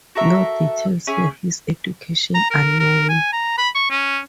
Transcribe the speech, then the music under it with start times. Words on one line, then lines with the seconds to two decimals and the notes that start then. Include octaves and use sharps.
No details of his education are known.
0.15 F#4 A4 A#4 E5
1.07 C#4 G#4 E5 G#5
2.34 A#5
2.50 A#4
2.80 A#4
3.09 G#5
3.33 A#5
3.58 B5
3.75 C#6
3.90 C#4